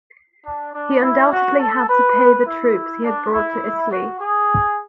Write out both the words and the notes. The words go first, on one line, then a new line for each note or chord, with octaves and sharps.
He undoubtedly had to pay the troops he had brought to Italy.
D4
D4
E4
F#4
A4
B4
E4
D4
E4
F#4
G#4